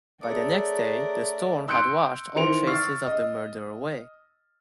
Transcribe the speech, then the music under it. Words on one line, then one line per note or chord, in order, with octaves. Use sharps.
By the next day the storm had washed all traces of the murder away.
A3 D4 G#4 A#4 C#5 D6 D#6
C6 E6 F#6 G6 C#7 D7
D#3 E3 C5 C#7 D7 F7
C#6 E6 F6 A6 C7
D#5